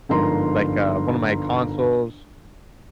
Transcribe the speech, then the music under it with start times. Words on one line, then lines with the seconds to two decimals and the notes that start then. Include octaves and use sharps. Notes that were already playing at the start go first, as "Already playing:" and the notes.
like, uh, one of my consoles,
0.09 G1 G#2 F3 A#4 A#5 C6